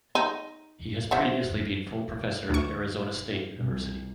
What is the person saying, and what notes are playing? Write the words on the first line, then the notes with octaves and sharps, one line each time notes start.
He has previously been full professor at Arizona State University.
D#4
C5 E5 F#5
D2 C#6
C2